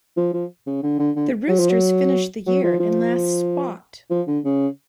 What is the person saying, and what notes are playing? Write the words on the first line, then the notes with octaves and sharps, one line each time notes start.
The Roosters finished the year in last spot.
F3
F3
C#3
D3
D3
D3
F#3
F3
F#3
F#3
F3
F3
F3
D3
C#3